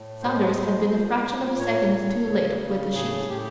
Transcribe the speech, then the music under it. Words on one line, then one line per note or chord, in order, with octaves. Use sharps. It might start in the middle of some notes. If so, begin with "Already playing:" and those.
Saunders had been a fraction of a second too late with the sheet.
Already playing: A2
B2 C5
B2
A#2
A#2
A2 C#5
A2
C#3
C#3
A2 G#4
A2 G4